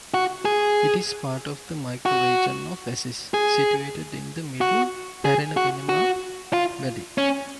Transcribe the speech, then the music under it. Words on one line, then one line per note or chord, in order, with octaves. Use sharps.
It is part of the Microregion of Assis, situated in the middle Paranapanema Valley.
F#4
G#4
F#4
G#4
F#4
G#4
F#4
F#4
F4
C#4